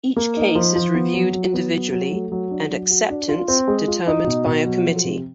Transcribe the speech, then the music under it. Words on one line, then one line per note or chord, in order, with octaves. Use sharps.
Each case is reviewed individually and acceptance determined by a committee.
A#3
D#4
F3
F3
B3
F#3
F#3
B3
F#3
F#3
A3
F#3
D4
F#3
F#4
D4
F4
C4
G#3
F4
D#4
B2
B2
F#3
F3
C3